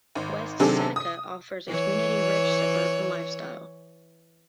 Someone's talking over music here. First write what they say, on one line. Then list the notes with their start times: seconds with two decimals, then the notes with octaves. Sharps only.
West Seneca offers a community-rich suburban lifestyle.
0.15 G#1
0.60 C3 D#3 F#3 D4 G#4 A4
0.96 D#6
1.68 E3 C#5